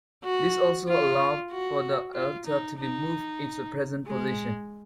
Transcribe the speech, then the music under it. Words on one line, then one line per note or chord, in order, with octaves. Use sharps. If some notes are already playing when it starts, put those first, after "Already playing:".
This also allowed for the altar to be moved to its present position.
F#4
F4
F#4
F4
D#4
D#4
G#3